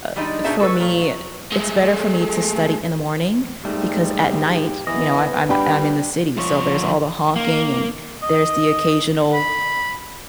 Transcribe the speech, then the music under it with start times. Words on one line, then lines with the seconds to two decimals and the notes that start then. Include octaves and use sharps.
uh, for me, it's better for me to study in the morning because at night, you know, I'm I'm I'm in the city, so there's all the honking and there's the occasional
0.16 E3 G3 G#3 D4 D#4
0.44 B2 D4 D#4 G#4 E5 A5
0.60 F#4 A4 B4 C#5
0.80 A#2 A3 C#5
1.02 F#3
1.52 G#3 A3
3.65 G#2 G3 A3 G4
4.87 E3 B3 D#5
5.49 G3 D4 G5 B5
6.37 F3 C#5
7.36 A#3
8.22 D#5
9.34 B5